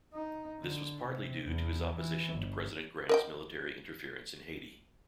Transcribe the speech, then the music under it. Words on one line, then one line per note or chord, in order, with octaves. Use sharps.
This was partly due to his opposition to President Grant's military interference in Haiti.
D#4
D3
C3
E2
E3
G1
A#4 D#5 G5